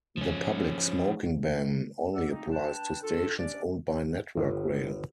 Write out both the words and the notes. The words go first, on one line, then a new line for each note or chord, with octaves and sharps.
The public smoking ban only applies to stations owned by Network Rail.
F3 C#4
D5 F#5 E6
A3 A#3 C4 D#4
D4 B4 G5 A5
D#3 D4 F4 A4
C#4 D4 G4 D5
G1